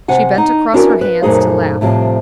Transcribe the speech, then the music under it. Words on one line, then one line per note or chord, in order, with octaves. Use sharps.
She bent across her hands to laugh.
C3 F#5 G#5
D#4 D#5
B3 C#4 D4 E4 F#4 A#4
B4
F#2 A#2 A3 D#4 G#4 C5
A2 C3 F3 G3